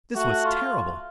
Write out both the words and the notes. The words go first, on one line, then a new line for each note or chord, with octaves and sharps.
This was terrible!
A3 F#4
F4